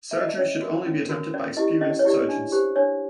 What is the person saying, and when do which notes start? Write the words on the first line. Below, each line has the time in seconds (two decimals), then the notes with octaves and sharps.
Surgery should only be attempted by experienced surgeons.
0.11 E5
0.20 D#5
0.29 D5
0.38 C#4 C#5
0.61 F#4 A#4
0.86 C#4
1.09 F#4 A#4
1.34 C#4 D5
1.57 E4 G4 D#5
1.81 C#4 D#5
1.90 D5
1.99 C#5
2.05 E4 G4 D5
2.29 D4
2.52 G4 C5
2.76 D4 C#5